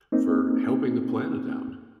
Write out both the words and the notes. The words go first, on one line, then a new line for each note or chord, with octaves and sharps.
for helping the planet out.
A#3 C4 D#4